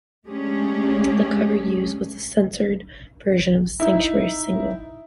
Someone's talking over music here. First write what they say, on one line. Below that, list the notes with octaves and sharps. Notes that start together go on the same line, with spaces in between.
The cover used was the censored version of the "Sanctuary" single.
G#3 A3 C#4 D4 G4 G#4
D#4 E4